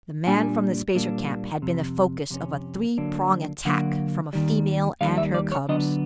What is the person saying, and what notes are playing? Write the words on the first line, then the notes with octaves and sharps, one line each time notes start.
The man from the spacer camp had been the focus of a three-prong attack from a female and her cubs.
A#2 G3 A#3 D4 G#5
A#2 G3 A#3 D4
F2 C3
F2 C3 C#4
D3 F#3 A#3 D4
D3 F#3 A#3 D4 F#5
D#2 D#3 G3
D#2 D#3 G3 F5
E5
D5
C#5
D3 F#3 B3 D4 D#5